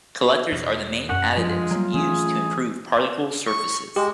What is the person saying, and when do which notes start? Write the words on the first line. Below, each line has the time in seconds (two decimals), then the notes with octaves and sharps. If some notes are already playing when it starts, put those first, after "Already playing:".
Collectors are the main additives used to improve particle surfaces.
0.52 E2 B2
1.09 F#2 F#5
1.36 G2 F3 G#3 F4
1.71 F#3 G3 A#3
1.94 E3 A3 C#4 G#4
3.47 C#6
3.96 G#3 G4